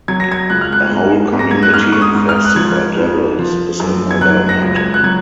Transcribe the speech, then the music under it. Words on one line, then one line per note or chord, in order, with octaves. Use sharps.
A whole community infested by devils is another matter.
F#3 G#6
A#6
G#6
C#2 F#6
F6
F#6
G#2
G#2
A#6
G#6
F#6
G#2 F6
C#6
D#6
G#2
F6
F#6
F3 G#6
F2
F3
F#2
G#6
F#3 F#6
A#6
C#2
G#6
F#6
F#3 G#6